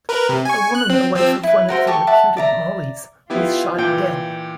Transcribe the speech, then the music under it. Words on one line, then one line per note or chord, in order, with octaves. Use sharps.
A woman, the wife of one of the reputed Mollies, was shot dead.
A#4 B4
C3
G#5 C#6
F#6
C4
F3 C4 E6
E4 B4
F#4 A#4 C5 E5
G4 A4 C#6
E5 F#5 A5
D5 E5 A#5
B3 E4 F4 G4
A#2 E3 G5